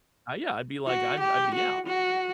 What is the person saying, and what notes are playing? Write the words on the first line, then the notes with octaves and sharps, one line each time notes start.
Uh, yeah, I'd be like, "I'd I'd be out,"
F#4
G4
F#4
F#4